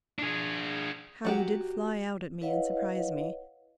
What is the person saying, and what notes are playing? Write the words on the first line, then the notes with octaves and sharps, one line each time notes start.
How you did fly out at me and surprise me.
D4 G#4
F#3 F#4 G4
E4 B4 C#5 D#5 F5 F#5